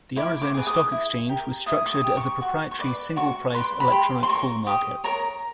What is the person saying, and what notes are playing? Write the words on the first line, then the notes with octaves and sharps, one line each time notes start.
The Arizona Stock Exchange was structured as a proprietary "Single Price" electronic call market.
E4 D6
D6
G#4 B4 D6
D#6
E4
G4 A#4
E4 D#6
D6
D#6
G4 A#4
C#6
F#4 C#6
C#6
B4 D5 D6
F#4 C#6
B4 D5 C6
B5
G4 C6
C6
A#4 C#5 C#6
G4 D#6
A#4 C#5 A#5